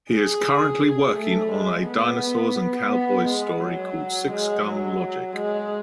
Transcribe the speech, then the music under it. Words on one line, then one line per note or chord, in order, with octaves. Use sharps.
He is currently working on a dinosaurs and cowboys story called "Sixgun Logic".
G#4
A3
G#3
B3
B3
G#3
F#3
G#3
F#3
G#3